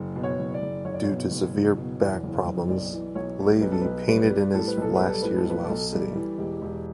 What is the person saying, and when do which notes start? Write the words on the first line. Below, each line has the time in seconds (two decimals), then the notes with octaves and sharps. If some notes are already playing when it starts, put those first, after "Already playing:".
Due to severe back problems, Lavie painted in his last years while sitting.
Already playing: F#1
0.16 B2
0.23 C#5
0.39 F#1
0.54 D5
0.62 F#1
0.85 F#1 C#5
0.94 D5
1.04 B2 C#5
1.31 F#1
1.54 F#1
1.77 B2
2.00 E2
2.23 F#1
2.46 F#1
2.69 B1 D5
2.93 E3
3.15 B1 C#5
3.39 G3
3.61 B1 B4
3.72 A4
3.81 B1 B4
4.08 G3 B4
4.31 G3
4.54 A2 A4
4.68 B4
4.77 B1 A4
4.95 G3 B4
5.09 A4
5.23 A2 B4
5.37 A4
5.46 B1 B4
5.64 A4
5.69 B1
5.92 G3
6.15 E3
6.38 E1 G4
6.62 E1